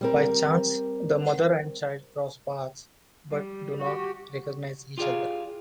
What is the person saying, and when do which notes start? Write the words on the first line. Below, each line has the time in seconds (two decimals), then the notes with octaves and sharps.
By chance, the mother and child cross paths, but do not recognize each other.
0.01 G3 C4 A#4
3.30 G3
3.82 F#4 G4
4.98 F4 G4 G#4 D5 F5